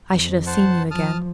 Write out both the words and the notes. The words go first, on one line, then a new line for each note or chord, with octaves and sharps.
"I should have seen you again."
F2
C5 F#5 A5
F3 A5 D#6 F6